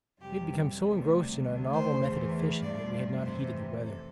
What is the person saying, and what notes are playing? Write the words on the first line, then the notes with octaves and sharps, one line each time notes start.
We had become so engrossed in our novel method of fishing that we had not heeded the weather.
F2 C3 G3 G4
D2 C3 G3
D2 D3 A3
C5
E2 E3 A3
G2 F3 A3 D5
F2 C3 E3 A3 C5
A4